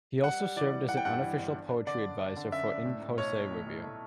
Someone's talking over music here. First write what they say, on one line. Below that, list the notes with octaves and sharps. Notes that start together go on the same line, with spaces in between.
He also served as an unofficial poetry advisor for "In Posse Review".
G3 F#5
G3
E3 D5
G3
E3 F#5
G5
G2 F#5
E3
G1
D4
D4
D3 D5
D4
D4
D3
F#2 E5
D4
A2
A2
B1 C#5
B1
A2
B1
A3